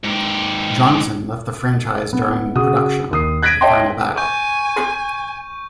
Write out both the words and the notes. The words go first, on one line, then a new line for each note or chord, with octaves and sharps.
Johnson left the franchise during production of "The Final Battle".
G#2 G4
B3
C#3 F#4 D#6
D#2 D#6 C7
F#6 G#6 A#6 B6 D7 D#7
C#5 D#5 E5 G5 A5 C6
G#5 C#6 G6 D#7